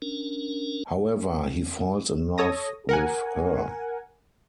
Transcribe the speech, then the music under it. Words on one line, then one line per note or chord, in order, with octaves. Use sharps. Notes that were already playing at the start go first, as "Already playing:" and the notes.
However, he falls in love with her.
C#4 D4 A#4
A4 C#5 D#6 A#6
A#4 F#5 G#5